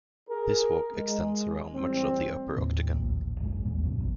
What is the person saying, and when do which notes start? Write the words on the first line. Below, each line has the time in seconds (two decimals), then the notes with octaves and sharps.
This walk extends around much of the upper Octagon.
0.29 G#4 A#4
0.95 G#3
1.74 A1 G3 C4
2.56 D#2 A2 D#3 A#3
2.94 D1 A#1 D#2
3.40 G#1 F#2 G#3
3.65 A1 D#2 A#2 G#3
3.84 C#2 F#2 B2
4.00 F1 A#1